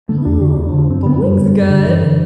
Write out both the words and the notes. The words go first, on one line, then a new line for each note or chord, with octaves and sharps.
Oh, bowling's good,
D3 A3
B3
E2 D4
D3 D4
E2
D3
F#2 C4
D3 B3
F#2 G3
D3
F#2
D3
F#2 E3
D3